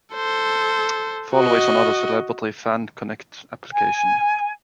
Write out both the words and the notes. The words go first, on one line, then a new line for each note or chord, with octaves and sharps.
Follo is another celebrity Fan-connect application.
A4 C5
F#4 D#5
G#5